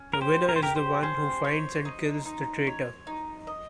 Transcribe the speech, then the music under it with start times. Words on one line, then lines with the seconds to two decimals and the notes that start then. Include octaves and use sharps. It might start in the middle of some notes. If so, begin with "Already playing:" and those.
The winner is the one who finds and kills the traitor.
Already playing: C#4
0.13 A#4
0.21 G4 C5
0.49 A#4
0.56 C5
0.62 G4 A#4
0.76 C5
1.03 C#4 C5
1.44 C#5
1.85 D#4
2.25 D#4
2.67 C#5
3.07 D#4
3.47 D#5